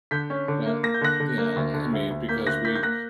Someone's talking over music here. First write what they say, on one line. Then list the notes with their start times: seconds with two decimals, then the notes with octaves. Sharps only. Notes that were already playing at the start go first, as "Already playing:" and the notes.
but, you know, I mean, because we,
0.11 D3 G6 B6
0.30 C#4
0.48 D3
0.66 A#3
0.83 A#3 A#6
0.94 G6
1.01 D3 F#6 A#6
1.20 D3
1.38 A#3
1.56 D2
1.74 D3
1.93 D2
2.10 D2
2.29 A#3 G6 B6
2.47 D2 F#6 A#6
2.65 A#3 G6 B6
2.75 G6
2.83 A#3 F#6 A#6